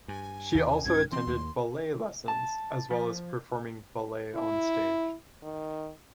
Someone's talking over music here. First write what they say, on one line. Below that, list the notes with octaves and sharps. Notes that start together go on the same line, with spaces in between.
She also attended ballet lessons, as well as performing ballet on stage.
G2 G#5
D#2 C3 E3
C2 G#2 C#4 G#6
E3 C4 C6
D#2 A#3
A5
F3
E4
D#3